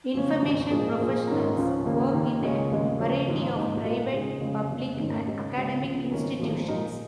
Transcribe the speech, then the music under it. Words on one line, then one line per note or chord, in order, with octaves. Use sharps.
Information professionals work in a variety of private, public, and academic institutions.
F1 F2 C#3 F3 C#4
G#1 G#2 G#3 C#4
A#2 F3 G#3 D#4 G#4
A#2 F3 A#3 F4 G#4
G#2 D#3 C#4 A#4
C#2 C#3 F3 C#4 F4
D#2 C#3 A#3
D#2 D#3 A#3
C#2 C#3 G#3 C#4 G#4
F1 D#2 C#3 G#3
C#3 F3 C#4
G#1 G#2 F3
A#1 G#2 F3 G#3 D#4
A#2 G#3 F4 A#4
C#3 G#3 D#4 G#4
F1 F2 C#3 G#3
F1 F2 C#3
G#1 G#2 D#3 C#4
C#3 G#3 C#4
C#2 C#3 G#3
C#2 C#3 F3
G#1 G#2 G#3 C#4 A#4
G#1 G#2 F3
A#2 G#3 D#4 A#4